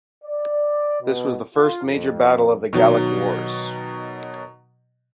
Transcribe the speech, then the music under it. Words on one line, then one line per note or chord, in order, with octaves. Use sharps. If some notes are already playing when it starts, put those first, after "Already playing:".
This was the first major battle of the Gallic Wars.
D5
B2
F4
F2
B2 D#3 F#3